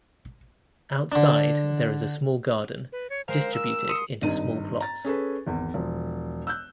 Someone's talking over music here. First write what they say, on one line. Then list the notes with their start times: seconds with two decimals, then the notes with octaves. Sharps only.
Outside, there is a small garden, distributed into small plots.
1.12 D3 D4
2.92 B4
3.10 C#5
3.28 G#3 A#4 C5 F5
3.54 E6
3.89 C6 D#6 C#7
4.22 G#1 G2 D#4 D#7
4.80 A#5 A6
5.05 C#4 G#4 A4 B4
5.47 G#1 E2
5.74 E1 F3
6.47 E6 F#6 G6